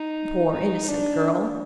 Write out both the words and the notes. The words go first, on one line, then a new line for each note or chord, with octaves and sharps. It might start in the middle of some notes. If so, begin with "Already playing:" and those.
Poor innocent girl.
Already playing: D#4
D#4
D4